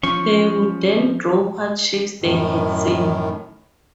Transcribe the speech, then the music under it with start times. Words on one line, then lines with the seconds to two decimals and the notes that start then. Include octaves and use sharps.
They would then draw what shapes they had seen.
0.03 F3 C#4 C#6
2.22 F#2 A2 D#3